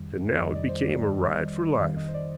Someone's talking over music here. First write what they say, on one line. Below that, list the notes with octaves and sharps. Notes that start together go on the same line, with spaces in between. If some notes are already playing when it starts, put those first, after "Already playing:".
And now it became a ride for life.
Already playing: F2 D#3 G3
F2 D#3 G3 D#5
D5
C5
D5
F2 D#3 G3 F5
D#5
C5
D5